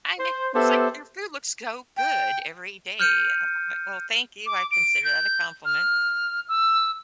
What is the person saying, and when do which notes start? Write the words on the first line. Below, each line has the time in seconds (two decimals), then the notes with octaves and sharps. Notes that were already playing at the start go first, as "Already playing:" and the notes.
I make" He's like, "Your food looks so good every day!" and I'm like, "Well, thank you, I consider that a compliment
0.18 C5
0.54 B3 G4 A4 C5 E5
1.97 G5
2.99 F6 G6 C#7 D#7
4.46 D6
4.71 D7
5.04 G6
5.65 F6
6.48 E6